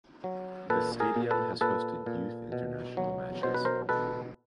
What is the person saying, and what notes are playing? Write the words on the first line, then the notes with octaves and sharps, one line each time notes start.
The stadium has hosted youth international matches.
F#3
A#2 A4 B4
G#4 A#4
A#2
A4 B4
A#2 A4 B4
A#2
B2
F#3
B2 C5
B4
A#4 C5
B2 A4 B4